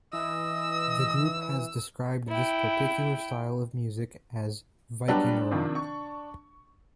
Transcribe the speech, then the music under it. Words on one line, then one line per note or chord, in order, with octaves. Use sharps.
The group has described this particular style of music as "Vikingarock".
E3 D#5 E6
E4 G5
F#3 G3 B3 D4 A5
C3 D#3 F3
C#6